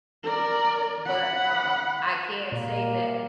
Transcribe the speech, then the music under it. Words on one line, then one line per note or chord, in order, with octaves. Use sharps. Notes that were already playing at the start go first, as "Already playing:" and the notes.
but, um, I can say that,
A#4 D5
F#5 B5
A#2 G3 A#3